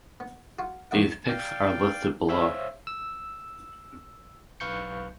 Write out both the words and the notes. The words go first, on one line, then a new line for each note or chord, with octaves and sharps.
These picks are listed below.
B3
F4 F#4
A1 A2 E3 A#3 E5 F#5
D5 F5 G5
C5 C#5 E5 F5 E6
E6
B1 B4 F5 C#6 G6 C#7